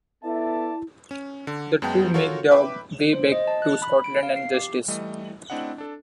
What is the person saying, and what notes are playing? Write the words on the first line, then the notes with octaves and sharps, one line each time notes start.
The two make their way back to Scotland and justice.
B3 E4 A4 D5 E5 A5
C#4
D3
F#2 G#3 B3 G5 A5 G6
F4 F#4 A4 A#4 C#5
B4 E5 G5 B5 D6
C5
D#5
A5
F#6
B5
D7
F5
C7
G4
E3 G3 A3 D#5
A3 C4 D4 E4 D#5 F#5
D4 A4